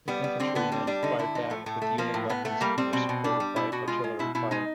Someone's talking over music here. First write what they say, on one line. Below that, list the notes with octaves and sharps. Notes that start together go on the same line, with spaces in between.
The infantrymen fired back with unit weapons and were supported by artillery fire.
G3 B3
G3
D3 C4
D3 B3
G3 C4
G3 D4
D3 D#4
D3 E4
F3 D#4
A2 A3
A2 A3
A3
F3 A#3
A2
A2 B3
A3 B3
G3 A#3
G3 C4
B2 C4
B2
G3 D4
G3
B2 E4
B2 F#4
G#3 F4
G#3
B2 E4
B2 E4
G#3 D#4